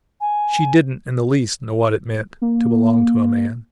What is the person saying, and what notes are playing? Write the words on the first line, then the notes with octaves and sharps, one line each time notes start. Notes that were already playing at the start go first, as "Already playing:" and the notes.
She didn't in the least know what it meant--to belong to a man.
G#5
A#3